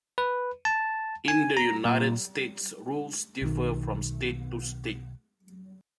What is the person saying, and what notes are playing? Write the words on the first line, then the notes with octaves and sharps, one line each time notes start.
In the United States rules differ from state to state.
B4
A5
G#5
A#5
A#2
B1 D#3